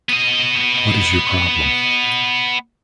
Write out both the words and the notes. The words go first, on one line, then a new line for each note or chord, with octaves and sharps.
What is your problem?
B3 D#5